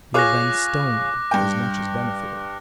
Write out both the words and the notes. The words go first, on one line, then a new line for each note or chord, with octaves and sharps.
You have been stoned as much as benefited.
F4 G#4 C#5 D6 F#6 A#6
G2 G5